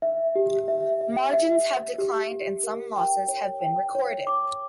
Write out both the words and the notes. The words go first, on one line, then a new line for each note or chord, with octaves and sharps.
Margins have declined and some losses have been recorded.
E5
G4
E5
E5
E5
E5
G4
G4
A#4
G5
C#5
G5
C#5
D6